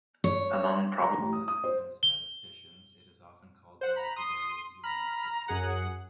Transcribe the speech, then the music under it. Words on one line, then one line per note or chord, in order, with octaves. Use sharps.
Among probabilists and statisticians it is often called the multivariate Ewens distribution.
C#5
A#5
A1
D#6
D#6
C5
G7
C5 F#5
A#5 B5
C6 D#6
A#5 B5 F6
F#2 G#4 F#5